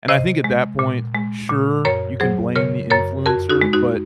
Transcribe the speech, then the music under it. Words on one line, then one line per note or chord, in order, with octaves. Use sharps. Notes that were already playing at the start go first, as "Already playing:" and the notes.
And I think at that point, sure, you can blame the influencer, but,
C3 C5 D#5
G#3
A#2
G#3
A#2
F#2 A#4 C#5
F#3 G#4 C5
C#3 A#4 C#5
F#2 A#4 C#5
F2 F#4 A#4
D#4 F#4
G#3
D#4 F#4